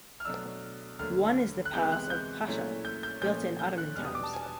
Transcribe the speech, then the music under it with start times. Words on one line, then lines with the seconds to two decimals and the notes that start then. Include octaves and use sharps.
One is the Palace of the Pasha, built in Ottoman times.
0.20 F6
0.25 B2 F#3 A3 D4 E6
0.99 D#2 D3 F#3 A3 F6
1.65 F#6
1.73 C3 E3 G#3 B3 G6
1.92 F#6
2.10 G6
2.47 A#2 F#3 A3 C#4 E4
2.85 G6
3.03 G6
3.21 A#2 F3 A3 C#4 G6
3.59 G6
3.78 F#6
3.96 E2 B2 G3 B3 D4 F6
4.05 D#6
4.15 D6
4.23 A5
4.33 G#5
4.42 A5